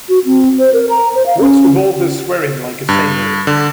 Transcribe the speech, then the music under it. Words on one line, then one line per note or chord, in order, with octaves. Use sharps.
What's with all the swearin' like a sailor?
F#4
C4
C5
A#4
A#5
C5
F5
C#4
G2
D3